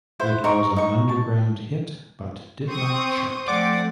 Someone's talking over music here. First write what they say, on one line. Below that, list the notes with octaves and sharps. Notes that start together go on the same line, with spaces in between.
It was an underground hit, but did not chart.
E4 C5 F#5
D#4 A#4 A#5 C#6
D#4 C#6
A5
C4 C5 C#6 D#6
F3 A3 C4 D5 F#5 D6